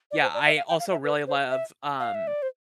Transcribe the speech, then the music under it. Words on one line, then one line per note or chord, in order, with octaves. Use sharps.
Yeah, I also really love, um,
D5
C5
D5
E5
F5
G5
F5
E5
B4
C5
E5
F5
E5
D5
C5